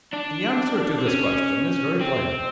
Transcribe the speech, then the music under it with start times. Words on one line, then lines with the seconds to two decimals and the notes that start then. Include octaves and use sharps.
The answer to this question is very plain.
0.13 D4
0.98 C4
1.07 C#4
2.01 C4